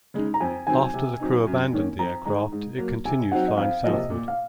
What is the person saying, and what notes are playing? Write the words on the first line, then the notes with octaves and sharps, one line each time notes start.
After the crew abandoned the aircraft, it continued flying southward.
C#3 G#3 D#4
A#5
F2 G#5
D#3 F#3 C4 G#5
C3
F#3 C4 D#4
F#2
D#3 A#3 C#4
F2 A#5
D#3 G#3 D#4 A#5
G#2
F#3 A#3
C3 G#5
F#3 C4 D#4 F#5
D#5
F2 F5
C3 F3 A#3 D#5
A#2
F5